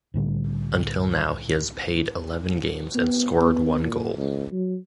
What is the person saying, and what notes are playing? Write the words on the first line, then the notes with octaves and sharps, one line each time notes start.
Until now, he has payed eleven games and scored one goal.
C2 A2 D3 G3
B3
B3
A#2
C#2
F#3